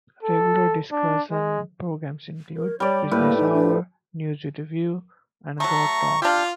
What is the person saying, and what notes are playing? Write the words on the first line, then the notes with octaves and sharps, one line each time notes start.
Regular discussion programs include "Business Hour", "News With a View" and "God Talk".
A4
D4
G#3
A#4
G3 C#5 D5
A2 A#3 G4 B4
D#4
D4
F#3 A3 A#5 C#6
D4 F4 G4 F5